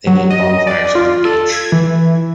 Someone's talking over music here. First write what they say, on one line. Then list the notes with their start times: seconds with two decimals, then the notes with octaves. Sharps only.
They make bonfires on the beach.
0.07 F#3
0.30 D#5
0.67 D5
0.95 F4
1.25 A4
1.52 G#6
1.72 E3